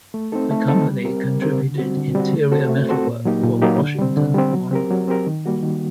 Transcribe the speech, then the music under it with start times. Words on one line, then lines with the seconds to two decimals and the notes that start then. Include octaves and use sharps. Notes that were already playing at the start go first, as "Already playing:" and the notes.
The company contributed interior metalwork for the Washington Monument.
0.14 A3
0.32 C4 D#4 A4
0.51 A3
0.68 C4 D#4 A4
0.87 G3
1.05 C4 G4 A#4
1.23 G3
1.42 C4 G4 A#4
1.60 D3
1.78 G3 C4 F#4
1.97 D3
2.15 G3 C4 F#4
2.33 A3
2.52 C4 F#4 A4 C5
2.69 A3
2.89 C4 F#4 A4 C5
3.07 A#2
3.25 F#3 A#3 D#4 G4
3.43 A#2
3.62 F#3 A#3 D#4 G4
3.80 D3
3.99 G3 C4
4.17 D3
4.34 G3 C4
4.53 F#3
4.71 C4 G4 A#4
4.91 F#3
5.08 C4 G4 A#4
5.27 D#3
5.46 G3 A#3 F#4
5.63 D#3